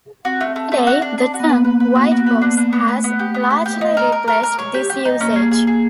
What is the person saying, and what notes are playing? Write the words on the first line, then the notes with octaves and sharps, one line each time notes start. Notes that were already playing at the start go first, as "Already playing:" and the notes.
Today the term "white box" has largely replaced this usage.
C4 F#4
A3
A3
A3
F#4
D4
D4
F#4
B3
A#3 B4
B4
B4
F#4
F#4
B4
D4
D4
A3 B3
B3
B3
G4
B3
G4
G4
D#4
A#4
A#4
A#4
A#4
C#5
G4
G4
D#4
A#3 C#4
G#4
G#4
G#4